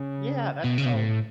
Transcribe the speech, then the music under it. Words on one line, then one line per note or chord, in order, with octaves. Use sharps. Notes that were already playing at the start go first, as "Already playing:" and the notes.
Yeah. That's Oh
Already playing: C#3
B2
C#3
B2
A2